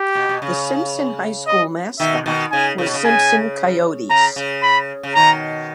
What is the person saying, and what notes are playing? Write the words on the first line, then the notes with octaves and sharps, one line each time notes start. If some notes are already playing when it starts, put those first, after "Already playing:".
The Simpson High School mascot was Simpson Coyotes.
Already playing: G4
B2
B2
C#3
D#5
B2 D#3 E5
B2 D#3
C#3 G#5
C#3
B2
C#3
G#5
C#3 A#5
C#3
B5
C#3
B2 D#3 A#5